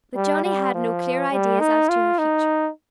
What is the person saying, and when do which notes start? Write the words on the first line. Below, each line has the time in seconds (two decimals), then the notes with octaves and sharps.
But Johnnie had no clear ideas as to her future.
0.16 G3
0.44 G3
0.74 F3
1.31 G3
1.61 D#4
1.89 F4
2.19 D#4